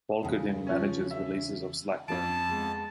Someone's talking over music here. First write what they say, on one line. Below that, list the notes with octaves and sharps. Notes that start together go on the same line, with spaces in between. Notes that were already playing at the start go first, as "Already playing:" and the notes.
Volkerding manages releases of Slackware.
E2 C#3
F3 C#4
E5
F2 F3 C#4 A5 D7
G#3 B3 D5